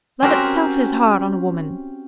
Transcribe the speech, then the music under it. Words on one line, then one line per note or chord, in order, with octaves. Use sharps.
Love itself is hard on a woman.
C4 C#4 F#4 G4 A#4 C5